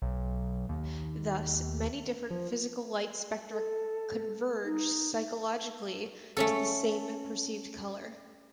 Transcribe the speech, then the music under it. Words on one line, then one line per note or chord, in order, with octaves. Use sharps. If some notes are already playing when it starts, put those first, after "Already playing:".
Thus, many different physical light spectra converge psychologically to the same perceived color.
B1
D#2
F3
A4
D#4
A3 C#4 A4